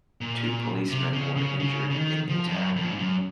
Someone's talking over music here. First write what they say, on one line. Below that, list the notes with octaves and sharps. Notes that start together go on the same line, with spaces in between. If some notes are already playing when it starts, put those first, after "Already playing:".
Two policemen were injured in the attack.
A#2
C3
C#3
C#3
C#3
C#3
D#3
F3
F2
F#2
F2
A#2
G#2
F#2